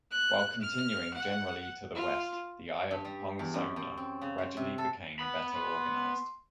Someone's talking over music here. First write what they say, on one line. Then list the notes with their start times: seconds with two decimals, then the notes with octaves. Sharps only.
While continuing generally to the west, the eye of Pongsona gradually became better organized.
0.11 F#6
0.61 F6
1.15 F#5
1.95 F4
2.91 G2
3.05 G3
3.39 E2
3.54 F#2
3.76 F#2
3.97 C4
4.22 C#3
4.38 C5
4.57 C3
4.78 A4
5.19 B3 B5
5.53 C6